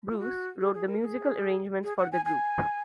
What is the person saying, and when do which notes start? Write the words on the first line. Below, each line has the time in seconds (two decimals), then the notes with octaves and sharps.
Bruce wrote the musical arrangements for the group.
0.10 F4
0.18 F#4
0.60 G#4
0.73 G#4
0.87 A#4
1.00 A#4
1.04 G#4
1.83 G#4
1.97 F#5
2.11 G#5
2.24 G#5